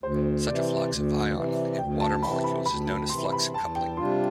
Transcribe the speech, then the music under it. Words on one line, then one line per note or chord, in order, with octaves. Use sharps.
Such a flux of ion and water molecules is known as flux coupling.
D2 C5
C3 E3 D5
D2
C3 E3
D2 G5
A5
C3 E3 B5
B5
D2 B5
C3 E3 C6
B5
E2 A5
G5
C3 G3 D4 F4 C6